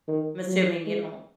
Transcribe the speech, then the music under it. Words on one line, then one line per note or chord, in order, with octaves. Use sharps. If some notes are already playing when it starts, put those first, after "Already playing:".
I'm assuming you don't
D#3
F#3
G#3